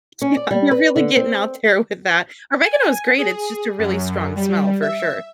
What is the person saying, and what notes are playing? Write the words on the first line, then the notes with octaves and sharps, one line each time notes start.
Yeah, you're really getting out there with that, oregano is great, it's just a really strong smell for sure.
C#4
D5
G3
B4
D3
C4
G#5
G#4
F#2
G3
E5